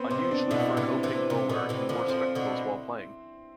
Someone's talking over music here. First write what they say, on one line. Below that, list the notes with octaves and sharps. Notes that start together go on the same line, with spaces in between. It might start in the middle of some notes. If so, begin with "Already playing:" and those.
Unusually for an opening bowler, he wore spectacles while playing.
Already playing: B3 C4 B4 C5
C3 C4 C5
D4 D5
B2 D3 E4 E5
C3 E3
C3 E3
C3
B2 D3
C3 E3
D3 F3
D3 F3 C4 C5
B2 D3